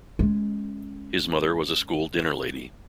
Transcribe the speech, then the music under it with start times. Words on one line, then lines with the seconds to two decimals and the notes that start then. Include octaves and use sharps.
His mother was a school dinner lady.
0.19 G#3 C#4